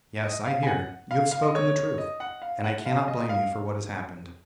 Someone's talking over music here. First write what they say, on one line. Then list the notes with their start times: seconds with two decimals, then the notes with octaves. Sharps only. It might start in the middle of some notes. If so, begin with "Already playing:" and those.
'Yes, I hear; you have spoken the truth, and I cannot blame you for what has happened.
0.23 D#5
0.46 F5
0.63 G#5
0.67 F#5
1.11 F5
1.31 F5
1.43 D#5
1.55 C#5
1.98 D#5
2.20 F#5
2.42 F5
2.64 F#5
2.86 F5
3.08 D#5
3.29 F5